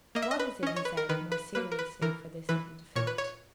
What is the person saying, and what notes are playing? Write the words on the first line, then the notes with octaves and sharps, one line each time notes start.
"What is it?" he said, more seriously for this little defeat.
A#3 D#5
E5
D#5
B4
C#4 D#5
C#5
B4
A#4
D#3 B4
B4
A#3 B4
A#4
B4
E3 A#4
E3 B4
A#2 C#5
B4
C#5